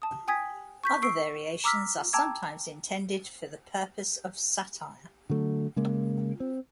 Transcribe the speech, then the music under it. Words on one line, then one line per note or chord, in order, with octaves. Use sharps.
Other variations are sometimes intended for the purpose of satire.
A5 D#6
G5 G#5 D#6 G#6 B6
C#6 G6 B6
C#6 E6 C7 D7
A#5 D6 E6 F6 B6
G5 A5 A#5 D6 E6 G#6
D3 F#3 A3
C#3 G#3 A#3
C4